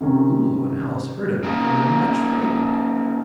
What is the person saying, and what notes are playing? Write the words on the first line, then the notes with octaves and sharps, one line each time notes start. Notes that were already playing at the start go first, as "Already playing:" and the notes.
Lulu and Alice heard him, and were much frightened.
C3 D#3 C#4
C#3 A#3 D#4